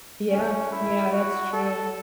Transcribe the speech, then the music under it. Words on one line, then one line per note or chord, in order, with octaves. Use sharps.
Yeah. Yeah, that's true.
C#4
E4
F#4
A4